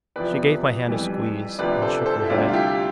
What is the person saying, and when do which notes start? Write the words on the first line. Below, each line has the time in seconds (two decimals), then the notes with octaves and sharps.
She gave my hand a squeeze, and shook her head.
0.16 E2 C3 F3 B4 D5
0.87 F2 E3 G3
1.59 D2 C3 F3 B4 D5
1.82 A4 C5
2.06 A4 C5
2.24 E4
2.30 D2 C3 G3 D4 F4
2.49 F4
2.53 E4 G4